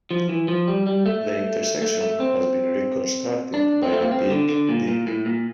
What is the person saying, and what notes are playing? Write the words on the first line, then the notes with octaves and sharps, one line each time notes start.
The intersection has been reconstructed by the Big Dig.
F3
E3
F3
G3
G3
A3
A3
A3
C4
D4
C4
A3
A#3
C4
D3
D3
A#2
A#2
A2
A#2